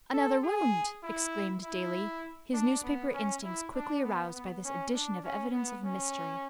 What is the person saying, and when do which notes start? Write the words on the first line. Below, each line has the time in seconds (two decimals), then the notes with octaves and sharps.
"Another wound!" exclaimed Daley, his newspaper instincts quickly aroused by this addition of evidence of mystery.
0.13 A4
0.43 G#4
1.03 E4
1.63 E4
2.53 D4
2.83 B3
3.14 C#4
3.43 E4
3.74 D4
4.04 B3
4.33 B3
4.64 C#4
4.93 D4
5.24 C#4
5.53 B3
5.84 C#4